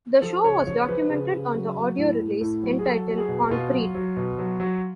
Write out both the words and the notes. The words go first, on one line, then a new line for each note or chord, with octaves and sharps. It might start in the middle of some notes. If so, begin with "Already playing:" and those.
The show was documented on the audio release entitled Concrete.
F3 A4
C#3 C#5
F3 C#5
F3 B4
C#3
C#3
F#3
F#3
A2
A2
A2
F#3
G#4
F#3 A4
F#3
G#4
B2
B2 F4
F#3
F#3
B2
F#3
F#3